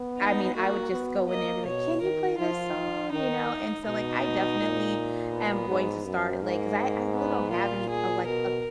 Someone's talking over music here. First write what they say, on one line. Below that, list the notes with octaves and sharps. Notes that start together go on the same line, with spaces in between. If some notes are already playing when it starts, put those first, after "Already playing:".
I mean, I would just go in there and be like, "Can you play this song?" You know, and so, like, I definitely am going to start, like 'cause I I really don't have any, uh, like, a
Already playing: B3
D#4
A#3 F#4
B3
A#3 D#5
B2 C#5
D#3 A#4
F3 F4
F3
D#3 D#4
B2 D#4
A#2
B3
G#2
F#2
G#2 A#3
B3
A#2 F4
G#4
B2 A#4